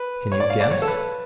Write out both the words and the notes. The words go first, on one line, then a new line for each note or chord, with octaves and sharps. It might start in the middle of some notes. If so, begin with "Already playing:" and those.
Can you guess?
Already playing: B4
C#5
D5
F5
D5
C#5
A4
B4